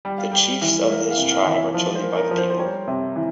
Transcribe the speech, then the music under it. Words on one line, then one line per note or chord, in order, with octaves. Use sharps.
The chiefs of this tribe are chosen by the people.
G3 G5
F5
G3 G5
E3
A#3 E5
F5
C3
F5
E3
E5
F3
C5
A#3
A#4
F3
C5
C5
G3 C#5
C3
E3